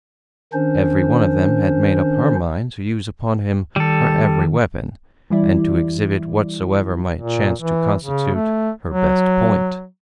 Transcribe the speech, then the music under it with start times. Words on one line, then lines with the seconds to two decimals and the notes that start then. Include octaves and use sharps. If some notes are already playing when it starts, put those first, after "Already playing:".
Every one of them had made up her mind to use upon him her every weapon, and to exhibit whatsoever might chance to constitute her best point.
0.53 D#3 C#4 D4 C5
3.76 D#3 G3 A4
5.30 E3 G3 E4 D5
7.17 A#2
7.61 E3
8.02 C#3
8.34 A3
8.89 F#3